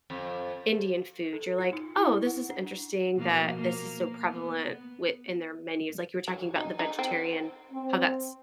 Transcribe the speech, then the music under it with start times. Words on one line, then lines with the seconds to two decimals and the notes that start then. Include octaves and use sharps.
Indian food, you're, like, "Oh, this is interesting that this is so prevalent wi in their menus." Like you were talking about the vegetarian how that's,
0.10 F2
1.33 A4
1.58 F4
1.73 D#4
1.96 E4
2.26 F#5
2.50 D4
3.16 B2 F3 A#3
3.58 A#3
4.26 B3
6.28 F#3
6.56 D#4
6.79 D#4
6.99 C4
7.72 C4